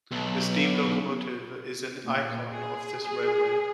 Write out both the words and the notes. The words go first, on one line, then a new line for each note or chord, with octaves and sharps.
The steam locomotive is an icon of this Railway.
B1
A#2
G#4
G#4